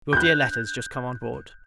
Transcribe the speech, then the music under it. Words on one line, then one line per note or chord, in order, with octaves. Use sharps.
Your dear letters just come on board.
F#6 G6